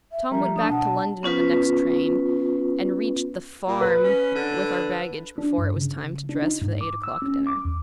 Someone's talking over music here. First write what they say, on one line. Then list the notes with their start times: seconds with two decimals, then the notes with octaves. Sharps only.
Tom went back to London on the next train, and reached the "farm" with our baggage before it was time to dress for the eight-o'clock dinner.
0.11 E5
0.31 F3 G3 A#4 E5 A#5
0.56 F3 D4 D5 G5 D#6
0.69 B2 F#5 A5
1.23 B3 C#4 F4 B4
3.67 A#2
3.81 B4
4.03 C#4
4.35 D3
5.38 D4
5.58 G2
5.76 C#3
6.29 D4
6.42 D#4
6.62 G#2
6.81 D6
7.04 E6
7.22 C#4
7.47 D6
7.65 E2